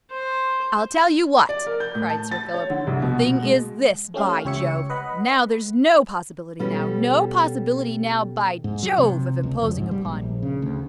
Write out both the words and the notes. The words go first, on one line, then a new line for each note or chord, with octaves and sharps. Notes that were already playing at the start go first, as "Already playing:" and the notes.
"I'll tell you what," cried Sir Philip, "the thing is this: by Jove! now, there's no possibility now--no possibility now, by Jove! of imposing upon me."
C5
D5
A#4
G6
A2
A5
A6
C#5
D3
C2
B2
B2
G#3
A3 C#4 G4 F5
C#2 G4 C#5 E5 C#7
B4 D#5 F#5 B5
B2 G3 C#4 G4 A4
G#2
F#3
C3
C#2
F2
G#2
G3
A#1
C#3
D2